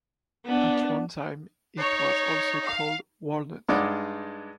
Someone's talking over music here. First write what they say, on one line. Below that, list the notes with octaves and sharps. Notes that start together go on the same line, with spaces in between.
At one time it was also called Walnut.
B3 D4
D#4 C#5
F5
G2 G#3 D#4 D5 F#5 D6